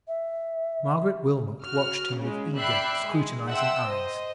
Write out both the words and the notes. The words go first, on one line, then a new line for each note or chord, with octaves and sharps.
Margaret Wilmot watched him with eager, scrutinizing eyes.
E5
F#4 F6
C#3 G#3
D5 E5 G5 B5 F#6 C7
G#3
E5 F#5 G5 A5 C6 E6
C5 D#5